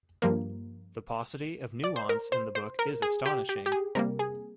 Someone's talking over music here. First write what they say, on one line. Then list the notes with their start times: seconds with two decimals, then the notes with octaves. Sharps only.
The paucity of nuance in the book is astonishing.
0.22 G2 F3 A#3
1.84 D5
1.96 C5
2.09 A#4
2.32 C5
2.55 C5
2.79 A#4
3.02 G#4
3.26 G4
3.49 G4
3.66 G4
3.72 G#4
3.95 C3 G3 A#3 A#4
4.19 G#4